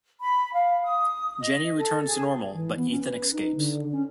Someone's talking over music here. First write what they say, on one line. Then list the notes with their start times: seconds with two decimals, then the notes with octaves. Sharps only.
Jenny returns to normal, but Ethan escapes.
0.20 B5
0.53 F5
0.83 D#6
1.41 D#5
1.78 A4
2.06 G#4
2.54 E3
2.76 B3
2.91 C#4
3.05 B4
3.32 D#4
3.56 D3
3.92 C#4